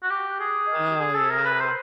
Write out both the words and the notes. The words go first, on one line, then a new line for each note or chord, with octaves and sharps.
Oh, yeah.
F#4
G4
G#4
G#4
A4
A#4
B4
C5